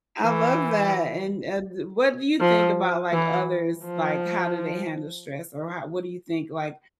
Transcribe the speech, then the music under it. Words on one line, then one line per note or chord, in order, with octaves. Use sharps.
love that, and and what do you think about, like, others like how do they handle stress or how what do you think? Like,
E3
F3
E3
F3